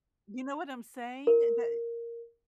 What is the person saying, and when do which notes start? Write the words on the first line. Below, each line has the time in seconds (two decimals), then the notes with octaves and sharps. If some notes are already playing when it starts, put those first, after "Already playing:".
You know what I'm saying? That
1.27 A#4